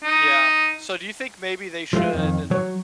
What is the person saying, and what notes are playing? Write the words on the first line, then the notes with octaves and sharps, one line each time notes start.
Yeah, so do you think maybe they should
D#4
F3 G#3 A3 F4
F2 D#3
F#3 C#5